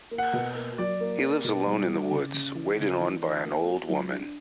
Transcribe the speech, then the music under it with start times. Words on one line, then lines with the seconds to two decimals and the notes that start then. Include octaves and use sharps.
He lives alone in the woods, waited on by an old woman.
0.11 A#3
0.18 F#5
0.33 B2
0.55 A#3
0.78 F#3 D5
1.01 A#3
1.22 A#3
1.44 B2
1.67 G3
1.88 G3
2.11 C#3
2.34 C#3
2.55 E3
2.78 C#3
3.00 E3
3.23 E3
3.45 A#3
3.67 F#4
3.89 F#3
4.11 D4